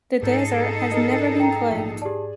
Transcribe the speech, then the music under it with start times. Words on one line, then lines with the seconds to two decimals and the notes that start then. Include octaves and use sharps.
The desert has never been ploughed.
0.23 G#2 D#4 G#4 A4
0.92 A#4 D#5
1.40 G5 A#5
1.71 A#1
2.02 G4 G#4 D5 A5